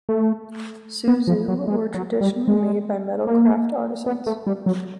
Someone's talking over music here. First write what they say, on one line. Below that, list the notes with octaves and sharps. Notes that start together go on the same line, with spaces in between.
"Suzu" were traditionally made by metal craft artisans.
A3
B3
F3
F#3
G#3
F#3
G3
G#3
A#3
B3
A3
G3
F#3